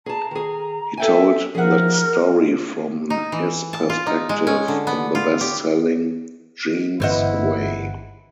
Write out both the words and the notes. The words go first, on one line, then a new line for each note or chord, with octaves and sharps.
He told that story from his perspective in the best-selling "Jean's Way".
G#4 A5 A#5
D#3 G#4
A4 E5 G5 G#5
F3 G#4 A#4 E5 F#5
D#4
E3
A5
F4
D#4
G#3
C#4
D3
B3
F4
G4
G1 E3 E4 C5 D#5 F#5